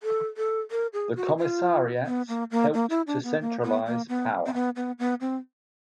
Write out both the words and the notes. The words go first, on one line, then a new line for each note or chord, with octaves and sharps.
The commissariats helped to centralize power.
A4
A4
A#4
G#4
F#4
F4
B3
A#3
A#3
A#3
E4
D4
B3
A#3
B3
A#3
B3
C4
B3
B3
B3
C4